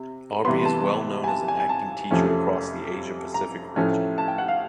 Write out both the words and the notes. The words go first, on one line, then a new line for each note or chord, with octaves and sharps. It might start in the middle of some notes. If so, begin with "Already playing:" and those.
Aubrey is well known as an acting teacher across the Asia Pacific region.
Already playing: C3
C3 E3 G3 B3 C6
A5
G#5
A5
G#5
G#5
A5
F2 C3 F3 A3 C#4
A#5
A2 F3 A3 C#4
A5
G5
F#5
F5